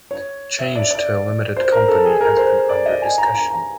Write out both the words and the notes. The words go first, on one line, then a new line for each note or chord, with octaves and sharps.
Change to a limited company has been under discussion.
C#5
E5
D5
D5
C5
A#4
A4
G#4
A#4
C5
D5
D#5
G#5
A#5
A#5
A#5